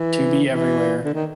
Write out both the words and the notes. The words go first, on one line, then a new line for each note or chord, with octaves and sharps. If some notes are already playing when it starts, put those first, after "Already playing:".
To be everywhere.
Already playing: E3
E3
D3
D#3